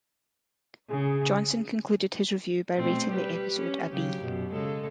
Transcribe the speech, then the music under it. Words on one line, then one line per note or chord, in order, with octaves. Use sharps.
Johnson concluded his review by rating the episode a "B".
C#3 G#4
B2 A3 C4
G3 G4 B4
C#4
C#3 F#3 G4
F#2 B2
C#3 G#3 A4